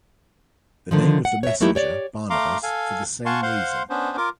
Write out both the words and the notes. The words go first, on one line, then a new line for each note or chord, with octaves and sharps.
The name of the messenger, Barnabas, for the same reason.
D3 D#3 F3
F#5
C#5 E5
F#3 A3 A#3 D#4 E4 G4
G4 C#5 D5
A3 F5 A#5 C6 D6
A4 F5 G#5
F5 F#5 G#5 A5 C6 C#6
C5 F5 F#5 C6
B3 C#4 D4 C5
F4 A#4 D6